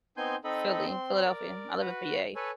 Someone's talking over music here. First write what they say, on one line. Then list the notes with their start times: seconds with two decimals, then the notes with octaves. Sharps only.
Philly, Philadelphia. I live in PA,
0.17 B3 C4 D#4 G#5 C6 G6
0.44 C4 D#4 A4 D#5 B5
0.86 C4 C6
1.24 A#4 D5
1.80 F#4 B4
2.36 A4 B4 C#5 G#5